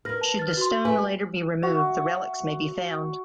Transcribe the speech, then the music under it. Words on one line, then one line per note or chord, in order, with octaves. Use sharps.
Should the stone later be removed, the relics may be found.
A#4 B4 F6 A#6
A5
F6 A6
F#4 C6
A3 B4 G#5
F#4 E5